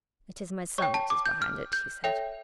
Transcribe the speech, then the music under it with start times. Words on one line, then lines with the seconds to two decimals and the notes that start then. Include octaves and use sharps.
"It is my son that is behind it," he said.
0.78 C#5 G5 C#6
0.94 A5
1.10 D6
1.26 G6
1.42 F6
1.73 G6
2.04 A4 C#5 E5 G5